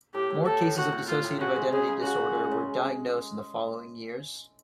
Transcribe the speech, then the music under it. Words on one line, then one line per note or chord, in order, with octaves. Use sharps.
More cases of dissociative identity disorder were diagnosed in the following years.
A2 G4
A2
A2 A4
A2
A2 F#4
A2
A2 F4
A2
C#3 F#4
G#3
C#3 G#4
C#3
C#3 F#4
C#3
G#3
C#3